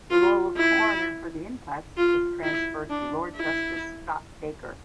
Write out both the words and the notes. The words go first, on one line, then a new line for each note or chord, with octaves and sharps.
The role of coroner for the inquests was transferred to Lord Justice Scott Baker.
F4
E4
F4
E4
D4
E4